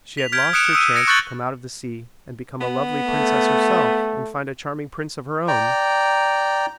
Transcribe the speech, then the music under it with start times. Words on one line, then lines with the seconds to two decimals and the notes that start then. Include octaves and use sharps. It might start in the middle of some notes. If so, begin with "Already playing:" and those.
She had lost her chance to come out of the sea and become a lovely princess herself and find a charming prince of her own.
0.17 B6 F7
0.32 F6 G6 G#6 B6 D7
0.53 D#6 F#6 C#7 D7 E7 F7
0.73 D#6 E6 D#7
0.95 D#6 A#6 B6 C#7 D7 E7
1.07 C#6 F#6 G6 A6 F#7 G7
2.61 B3
3.06 A3
5.48 D5 G5 A#5